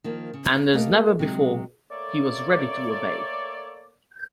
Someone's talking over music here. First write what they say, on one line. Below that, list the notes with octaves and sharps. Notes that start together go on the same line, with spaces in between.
And as never before, he was ready to obey.
D#3 F3 A#3
C#3
A3 A#3 G4 A#4 D#5 F5
C3 F#3 G#3
A3 A#3 A4 C#5 D5